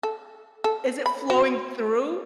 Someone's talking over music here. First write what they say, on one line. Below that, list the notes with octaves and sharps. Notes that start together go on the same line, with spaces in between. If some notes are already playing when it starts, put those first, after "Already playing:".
is it flowing through?
A4
A4
B5
F#4